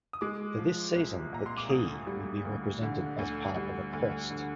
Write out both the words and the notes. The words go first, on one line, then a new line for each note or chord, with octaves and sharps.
For this season, the "key" would be represented as part of a crest.
D#6
G#3 D6
F3
C2
A#2 A#5
C6
D6
D2 D#6
G3
D2
D3
D2
G3
D2
D3